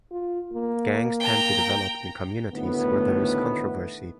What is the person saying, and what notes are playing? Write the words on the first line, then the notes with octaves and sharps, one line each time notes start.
Gangs tend to develop in communities where there is controversy.
F4
A#3
G5 A#5
D2 A2 D#3 B3